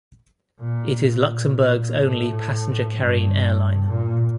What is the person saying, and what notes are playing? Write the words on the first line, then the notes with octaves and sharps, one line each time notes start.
It is Luxembourg's only passenger-carrying airline.
A#2
A#2
A2
G2
A#2